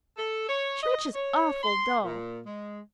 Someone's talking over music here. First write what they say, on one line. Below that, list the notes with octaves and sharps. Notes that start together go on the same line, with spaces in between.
Church is awful dull.
A4
C#5
D#5
C#5
C6
A#2
G#3